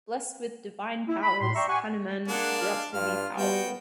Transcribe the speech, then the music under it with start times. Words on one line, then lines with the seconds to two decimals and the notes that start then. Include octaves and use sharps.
Blessed with divine powers Hanuman grew up to be powerful.
1.08 E4
1.23 B5
1.41 A2 C6
1.55 D5 E5 G5 A#5 C6 C#6
1.69 G4 F#5 G#5 C#6
2.28 G#3 A#3 D4 G#4 F#5
2.58 F5
2.93 G2 F4 F6
3.38 G3 B3 F#4 G5